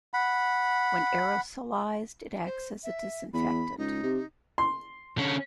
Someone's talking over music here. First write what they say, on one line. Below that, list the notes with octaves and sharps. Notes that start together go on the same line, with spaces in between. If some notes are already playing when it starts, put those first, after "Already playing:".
When aerosolized it acts as a disinfectant.
F#5 B5
C5
E5
E2 B5
C#2 D#4
C3
C6
D3 C#4